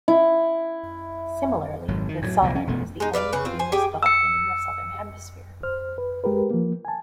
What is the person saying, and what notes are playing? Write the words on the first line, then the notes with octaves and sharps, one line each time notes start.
Similarly, the Southern is the only finless dolphin in the southern hemisphere.
E4
G#1 F#3
D#3
A2 F3 F#3
C2 A#2 F3
C#4
E1 B2 A3
G#3 D#4
B4 D5 E5 F5
C#3 B4
C4 F4
C5 G#5
G4 G#4 G5 G#5
E6 C#7
C5 F6
B4
G#3 G4 A#4 B4
F3 A#3
G#5 A5